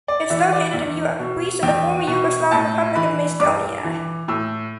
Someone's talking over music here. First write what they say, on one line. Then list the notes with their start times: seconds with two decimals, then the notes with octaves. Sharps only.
It’s located in Europe: Greece and the former Yugoslav Republic of Macedonia.
0.08 D5
0.30 E3 E5
0.52 D5
0.74 E2
1.19 B2
1.63 E2 G5
2.07 B2
2.51 A2 A5
2.95 E3 B5
3.40 G2 D6
3.84 E3
4.28 A2 E6